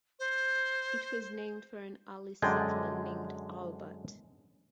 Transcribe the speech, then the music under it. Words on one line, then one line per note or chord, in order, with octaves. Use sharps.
It was named for an early settler named Albert.
C5
F#2 D3 G#3 D5 G5 G#5